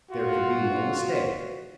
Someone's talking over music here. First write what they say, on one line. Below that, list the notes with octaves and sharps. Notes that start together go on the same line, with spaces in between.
There could be no mistake.
F4 F#4